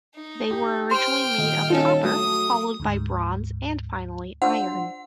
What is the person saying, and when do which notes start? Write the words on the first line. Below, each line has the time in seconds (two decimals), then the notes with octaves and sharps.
They were originally made of copper, followed by bronze and finally iron.
0.15 D#4
0.51 G4
0.91 C5 G5 F6
1.38 D#1 D#5
1.70 C#4 D#4 F4 A4
2.04 F#3 A3 D#6
2.80 D2 G#2
4.42 D4 F4 C5 F#5